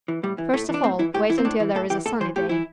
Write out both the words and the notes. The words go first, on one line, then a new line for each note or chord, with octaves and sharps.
First of all wait until there is a sunny day.
E3
A2 G3
E3
A2 A3
E3
D4
A2 C4
E3 E4
A2 G4
E3 E4
C4
A2 D4
E3
A2 A4
E3 G4
A2 A4
E3 C5
A2 G4
E3 E4